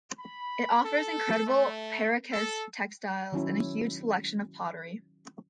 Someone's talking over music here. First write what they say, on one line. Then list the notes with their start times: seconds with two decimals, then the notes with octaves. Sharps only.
It offers incredible Paracas textiles and a huge selection of pottery.
0.18 B5
0.83 A4
1.47 A3
2.33 A4
3.32 D#3 F#3 C#4 E4